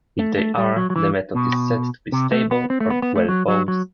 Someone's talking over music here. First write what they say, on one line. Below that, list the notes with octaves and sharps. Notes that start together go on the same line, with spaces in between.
If they are, the method is said to be "stable" or "well-posed".
A3
A3
G3
F#3
F#3
E3
B2
C3
A3
B3
C4
A3
B3
B3
A3
F#3
F#3
F#3